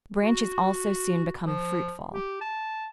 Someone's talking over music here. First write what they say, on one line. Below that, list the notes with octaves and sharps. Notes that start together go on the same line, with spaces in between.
Branches also soon become fruitful.
F#4
F3
G4
A5